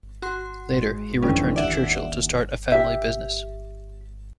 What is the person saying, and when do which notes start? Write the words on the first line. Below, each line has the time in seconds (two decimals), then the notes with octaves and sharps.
Later, he returned to Churchill to start a family business.
0.22 F#4 C6
0.72 G#2
1.23 F1 D3 E3 G3 C#4
1.56 D#2 D5 E5 F#5
2.72 G4 E5